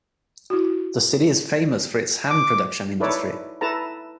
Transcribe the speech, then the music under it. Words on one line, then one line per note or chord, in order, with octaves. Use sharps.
The city is famous for its ham production industry.
E4 F#4
D6
D#4 E4 A4 B4 C#5 D5
E4 A4 B4 A5 A#5